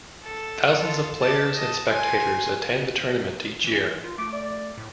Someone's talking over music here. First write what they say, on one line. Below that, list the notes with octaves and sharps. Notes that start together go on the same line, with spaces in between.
Thousands of players and spectators attend the tournament each year.
A4
F4 A4
D5 A5
D#5 A5
G#5 C6
E3
F4
A3 D6
D5
A2